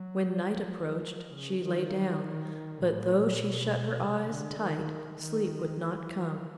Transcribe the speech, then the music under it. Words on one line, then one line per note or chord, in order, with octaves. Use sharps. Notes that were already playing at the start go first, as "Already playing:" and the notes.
When night approached she lay down, but though she shut her eyes tight sleep would not come.
Already playing: F#3
F3
C#3
D#3
D#3
A2
A#2
B2
C3
D3
D#3
D#3
E3